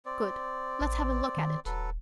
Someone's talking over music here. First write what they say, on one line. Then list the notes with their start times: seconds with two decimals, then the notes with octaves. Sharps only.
"Good; let's have a look at it."
0.05 C4 D5
0.81 A1
1.37 D#3
1.66 D#1 F#3 A4 B4